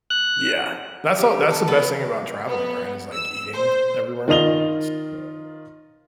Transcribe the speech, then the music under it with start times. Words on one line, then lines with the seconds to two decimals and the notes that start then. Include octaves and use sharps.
Yeah. That's all that's the best thing about traveling, right, is like eating everywhere. It's, yeah.
0.10 F#6
1.18 G4
1.50 A4
1.68 B3
2.47 B3
3.14 E6
3.54 C5
4.28 D#3 F4 D#5 F7 G7